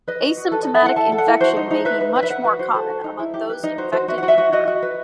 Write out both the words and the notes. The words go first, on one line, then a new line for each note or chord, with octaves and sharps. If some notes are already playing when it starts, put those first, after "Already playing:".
Asymptomatic infection may be much more common among those infected in Europe.
B4 D#5
F#4
F#4
A4 B4
D#5
A4
E5
E4 F#5
A4 A5
A4
F#5
E4
F#4 C5
D#4
D#4
B4 E5
B4
B4
E5
B4 F#5
F#4 B4
F#4 C5
A4 C5
F#4
D#4
E4
G4
B4
D#4 D#5
F#4 C5
F#4 C5
F#4 E5
F#5
F#4
E5
F#4
F#4 D#5
F#4
B4